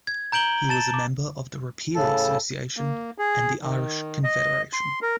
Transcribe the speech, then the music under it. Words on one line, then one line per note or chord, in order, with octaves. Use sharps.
He was a member of the Repeal Association and the Irish Confederation.
G#6
A#5 G6 D7 F#7 G7
A5 A6 E7
D6
A2 C#3 A4 A5
A#3
G#4
D#3
D#5
C6
A#4